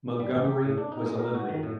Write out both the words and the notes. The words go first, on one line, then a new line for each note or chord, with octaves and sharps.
Montgomerie was eliminated.
G3
A1
G4
A2
D4
D#4
G#3
A#4
F#4
D#3
A2